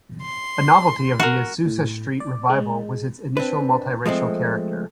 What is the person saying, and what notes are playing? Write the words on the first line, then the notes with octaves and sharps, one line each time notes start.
A novelty of the Azusa Street Revival was its initial multiracial character.
C6
F#4 A#4
A2
D5
G#3
C4 D4 B4
F3 G#3 A3 C4